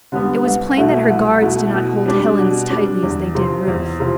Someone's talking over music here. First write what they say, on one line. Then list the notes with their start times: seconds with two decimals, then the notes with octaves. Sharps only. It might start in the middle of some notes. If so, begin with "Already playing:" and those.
It was plain that her guards did not hold Helen as tightly as they did Ruth.
0.12 D3 G3 B3
0.44 C2
0.77 B2 A3 E4
1.08 C2
1.41 B2 A3 E4
1.74 B2
2.05 G3 D4
2.38 B2
2.70 G3 D4
3.03 E2
3.35 C3 F3 C4
3.67 E2
4.00 C3 F3